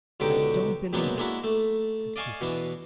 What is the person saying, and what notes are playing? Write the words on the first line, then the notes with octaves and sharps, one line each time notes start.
'I don't believe it,' said Kit.
C#2 B2 D3 D#4 G4 D6
F#2 B2 G#3 A#3 B3 D4
G#3 A#3 D4 E4 F#4
A3
D5 D#5 F5 G#5 A5 C#6
B2 E3 D4